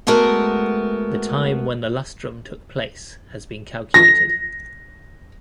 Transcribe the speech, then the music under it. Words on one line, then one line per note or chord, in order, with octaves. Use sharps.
The time when the lustrum took place has been calculated.
G#3 A3 B3 F#4 A#4
A#6